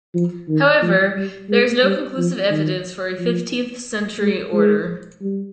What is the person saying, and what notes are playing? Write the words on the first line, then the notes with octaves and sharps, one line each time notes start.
However, there is no conclusive evidence for a fifteenth-century order.
F3
D#3
F3
G3
G#3
G3
F3
D#3
F3
G#3
G#3
G3